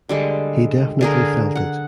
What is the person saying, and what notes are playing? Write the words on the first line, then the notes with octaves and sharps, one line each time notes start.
He definitely felt it.
D3 G3 G#3
D3 G#4 A#4
F#5